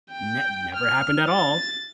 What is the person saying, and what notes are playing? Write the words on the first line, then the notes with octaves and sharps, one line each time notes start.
ne never happened at all,
G5
F6
A6